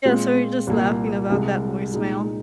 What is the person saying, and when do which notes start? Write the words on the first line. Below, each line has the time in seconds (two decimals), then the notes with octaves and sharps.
Yeah, so we're just laughing about that voicemail.
0.05 A#2 G#3 C4 F4
0.67 C2 A#2 A#3
1.30 C2 C3 G#3
1.93 A#2 G#3 D#4